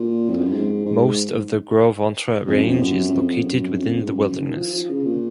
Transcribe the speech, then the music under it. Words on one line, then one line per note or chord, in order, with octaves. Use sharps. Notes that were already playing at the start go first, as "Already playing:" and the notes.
Most of the Gros Ventre Range is located within the wilderness.
Already playing: A#2
F2
F#2
G#2
G#2
F2
F#2
F2
F#2
F2
F#2
F2
G#2
F#2
D#3
F3
F3
C#3
A#2